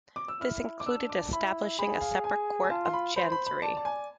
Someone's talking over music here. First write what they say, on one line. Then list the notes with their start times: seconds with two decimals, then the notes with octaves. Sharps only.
This included establishing a separate Court of Chancery.
0.16 D6
0.28 E6
0.41 E4 F6
0.80 D6
0.86 D4 E6
1.09 D6
1.32 E4 B5
1.79 G#4 B5
2.01 F5
2.24 G#5
2.64 G#5
2.70 F4 A5
2.85 C6
2.93 B5
3.16 C5 B5
3.32 B5
3.47 B5
3.62 D5 A5
3.77 A5
3.85 G#5